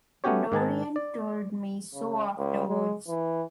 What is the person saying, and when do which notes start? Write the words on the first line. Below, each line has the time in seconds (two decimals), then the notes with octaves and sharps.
Dorian told me so afterwards.
0.24 A3 B3 C#4 F#4 G4 C#5
0.52 G#2 D#3 G#5 A5
0.96 D5
1.94 C#3
2.38 C#2
2.68 G#3
3.08 E3